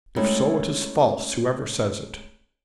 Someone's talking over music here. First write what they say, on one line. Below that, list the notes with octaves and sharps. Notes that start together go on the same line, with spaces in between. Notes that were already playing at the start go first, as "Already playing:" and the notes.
If so, it is false, whoever says it.
G#3 A3 C#4 D#4 E4 G4